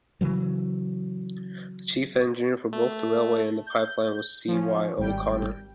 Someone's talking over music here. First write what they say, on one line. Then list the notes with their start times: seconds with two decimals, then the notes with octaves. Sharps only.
The chief engineer for both the railway and the pipeline was C. Y. O'Connor.
0.21 C#3 E3 F#3
2.73 A3
3.67 G6
4.47 F3 C#4
4.98 G#1 G3 G5